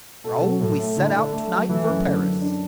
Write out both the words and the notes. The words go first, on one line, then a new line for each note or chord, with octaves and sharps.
"Raoul, we set out to-night for Paris."
B2 A4
F#3
A2 A4
A3
D3 E4
A4
A3
F#3
E3 A3
F#2
F#2 D3
F#2
D4